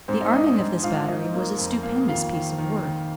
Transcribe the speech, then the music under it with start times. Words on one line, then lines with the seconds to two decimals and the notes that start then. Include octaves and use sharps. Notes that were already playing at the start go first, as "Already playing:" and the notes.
The arming of this battery was a stupendous piece of work.
0.08 G#2 C4 C5
0.21 D#4 D#5
0.33 D4 D#4 D#5
0.46 D#4 D#5
0.58 G#2
0.83 G#2 F4 F5
1.08 F3 D#4 D#5
1.34 A#3
1.58 F2
1.83 A#3
2.08 D#3 F4 F5
2.33 D#3
2.58 D#3
2.83 D#3